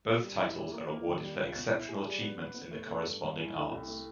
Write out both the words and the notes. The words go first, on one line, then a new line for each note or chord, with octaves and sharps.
Both titles are awarded for exceptional achievements in the corresponding arts.
G3
E4
G4
A#3
A#3
D#3
G3
C#2
B2
E4
G#4
G3
B3
B3
B3
A3
A3
G2
G2
E3
A3
C2
A3